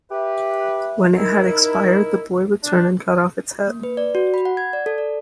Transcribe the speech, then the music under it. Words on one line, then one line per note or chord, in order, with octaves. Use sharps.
When it had expired the boy returned and cut off its head.
G4 B4 E5
D#4 E4 A#4
D4
A#3
B4
D5
F#4
B5
F#5
G#6
D5
A4
D5